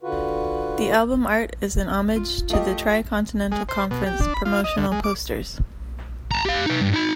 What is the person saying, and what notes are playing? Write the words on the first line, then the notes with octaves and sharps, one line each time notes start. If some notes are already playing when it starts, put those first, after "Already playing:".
The album art is a homage to the Tricontinental Conference promotional posters.
D3 F4 F#4 B4
F4
A3 F4 G4 D#5
G#3
C5
B2
G4
D4
B5
F4
D#5
D2
G#3
D6
A5 A#5
G4 F5
D#4 B4
G2
D#4 B5